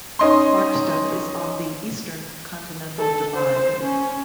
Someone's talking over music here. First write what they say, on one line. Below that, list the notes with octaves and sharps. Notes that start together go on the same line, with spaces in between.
Clarkston is on the Eastern Continental Divide.
C#4 D#4 C6
A4
C5
C#4